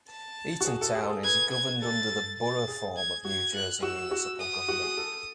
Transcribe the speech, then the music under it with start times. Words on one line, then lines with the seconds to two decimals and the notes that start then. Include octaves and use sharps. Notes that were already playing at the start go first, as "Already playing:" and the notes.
Eatontown is governed under the Borough form of New Jersey municipal government.
0.09 A5
0.61 F#4
0.66 G#4
0.81 A4
0.95 G#4
1.03 A4
1.09 G#4
1.23 B4 G#6
1.52 G#6
1.82 A4 A6
2.10 A4
2.38 A6
2.68 G#4
2.97 G#6
3.25 F#4 G#6
3.54 F#6
3.82 F#4 E6
4.11 F#4
4.39 D#6
4.68 F#4
4.83 G#4
4.97 A4